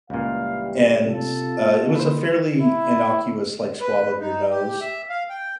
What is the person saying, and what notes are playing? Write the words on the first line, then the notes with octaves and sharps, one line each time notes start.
and, uh, it was a fairly innocuous, like, swab of your nose.
C#2 G2 A#2 E3 G3 F5
C3 F4 A4
A#2
B4 C5
E4
B4
D#4
G4
E5
F5
G5